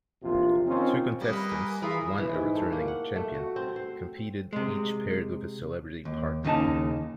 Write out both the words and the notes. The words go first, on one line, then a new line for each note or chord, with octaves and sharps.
Two contestants, one a returning champion, competed, each paired with a celebrity partner.
A#1 E2 C3 F4
D#3 C4 C#4 D#4 F4
G3 A#3 B3 D#5
B5
A#4 G#5
E3 F4 G#4 A#4 E5 A#5 B5
E3
G#2
A3
A#3
F#5
A3
F#4
C4
C5
C3 G#3
D#2
D#2 C#3 D#4 A5